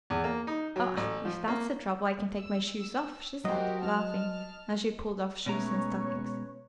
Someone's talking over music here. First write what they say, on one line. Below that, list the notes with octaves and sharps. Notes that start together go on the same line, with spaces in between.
"Oh, if that's the trouble I can take my shoes off," she said, laughing, as she pulled off shoes and stockings.
E2
A#3
D#4
F#3
A1
F3
A#3
E6
F#3 F#4 G4 A#4 C5 D#5
A5 F6
B2 G#3 A3 C#4 B4 C#5 A#5